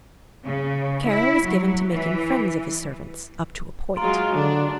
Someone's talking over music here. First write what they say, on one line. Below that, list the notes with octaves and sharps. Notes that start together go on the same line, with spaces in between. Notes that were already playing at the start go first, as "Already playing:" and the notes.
Kara was given to making friends of his servants--up to a point.
C#3
E4
F#3
E3
F#3 G#3 F4 A#5 C6 D7
D3 D4